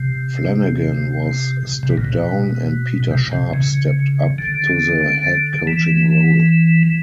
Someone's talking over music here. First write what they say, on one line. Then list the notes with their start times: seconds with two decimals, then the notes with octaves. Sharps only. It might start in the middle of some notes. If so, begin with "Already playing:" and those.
Flanagan was stood down and Peter Sharp stepped up to the head coaching role.
Already playing: C3
1.83 C3
1.90 B2
1.97 A#2
2.05 B2
3.11 C3
3.32 C3
3.53 C#3
4.38 D3
5.67 E3